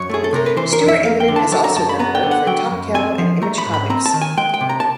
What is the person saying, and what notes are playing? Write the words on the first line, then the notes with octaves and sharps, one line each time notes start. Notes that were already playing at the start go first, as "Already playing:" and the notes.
Stuart Immonen has also done work for Top Cow and Image Comics.
Already playing: F#2 C#5
A3 G#4
A4
C3 A#4
B4
E3 C5
A#4
F2
E5
A#3 F5
G5
D3
A5
F#3 A5
A#5
F#2 A5
B5
B3 A#5
G5
D3
F#5
F#3 G5
F#2
C4 G#5
F3
A3 A#5
B5
G#2
B5
C4 A#5
A5
D#3
G#5
G#3 G5
G5
C3
A#5
A5